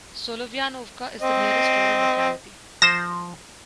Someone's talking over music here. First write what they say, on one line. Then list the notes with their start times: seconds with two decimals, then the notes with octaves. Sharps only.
Solovyanovka is the nearest rural locality.
1.21 C4 D#5
2.82 F3 C5 A#6 E7